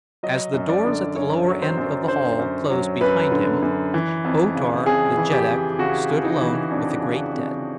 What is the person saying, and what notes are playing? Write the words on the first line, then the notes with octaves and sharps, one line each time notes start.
As the doors at the lower end of the Hall closed behind him O-Tar the Jeddak stood alone with the great dead.
F#3 D#5
F#2
D5
D3
F#2 C#5
F#3
C5
F#2
D3 C5
F#2
F#3
F#2 B4
D3
F#2
E3
F2
C#3
F2 G#4
E3
G4
F2
C#3 F#4
F2
D#4
E3
F2 D4
C#3
F2